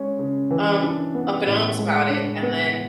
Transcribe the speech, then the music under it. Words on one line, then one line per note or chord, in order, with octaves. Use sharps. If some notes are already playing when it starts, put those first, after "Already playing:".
um, up in arms about it, and then,
Already playing: G#3 C#4
C#3
E3
D4
B3
A2
G#3
D4
B3